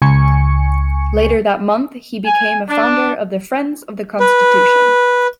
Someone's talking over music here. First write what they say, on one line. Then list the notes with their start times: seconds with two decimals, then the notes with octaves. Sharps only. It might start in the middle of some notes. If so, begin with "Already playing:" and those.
Later that month he became a founder of the Friends of the Constitution.
0.02 C#2 G#5 C#6 C#7
2.25 G#5
2.69 D4
4.20 B4